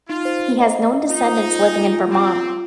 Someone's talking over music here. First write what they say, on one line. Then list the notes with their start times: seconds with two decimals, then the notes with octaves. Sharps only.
He has known descendants living in Vermont.
0.09 D#4 F4
0.25 C5
0.43 C5
0.60 D#5
0.76 D#5
0.92 D#5
1.09 D#4 F4
1.27 C5
1.43 F4
1.60 G5
1.77 F4
1.94 F4
2.10 C4 F4
2.27 F4
2.45 F4